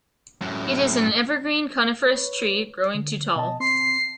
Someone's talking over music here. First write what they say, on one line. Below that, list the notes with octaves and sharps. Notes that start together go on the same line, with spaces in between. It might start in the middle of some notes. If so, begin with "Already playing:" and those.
It is an evergreen coniferous tree growing to tall.
F#2 A2
B4 C#5
D3
B2 D#5 A5
C4 C6 C7